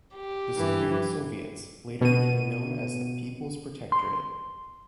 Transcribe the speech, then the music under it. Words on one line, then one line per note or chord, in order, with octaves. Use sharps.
The Supreme Soviets later became known as the People's Protectorate.
G4
G2 E3
B2 D#7
C6